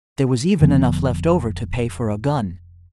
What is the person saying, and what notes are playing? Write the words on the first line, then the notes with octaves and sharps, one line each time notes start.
There was even enough left over to pay for a gun.
F1 D3 F3 B3